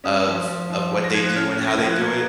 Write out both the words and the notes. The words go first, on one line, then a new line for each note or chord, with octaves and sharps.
of of what they do and how they do it,
C#4 D#6
F3
F3
F3
F3
A#6
F3 G#6
F#6
C#4 F6
C#4
A#6
F3 G#6
F#6
A#3 G#6